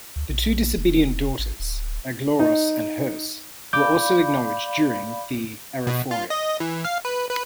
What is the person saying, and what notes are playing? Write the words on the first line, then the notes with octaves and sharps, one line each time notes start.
The two disobedient daughters, Aglauros and Herse, were also acknowledged during the Arrephoria.
D2
A#1
E1
G#1
D1
D#4
D5 F5 B5 D6 G6
B2
F4
D#5
E3
F5
B4
B4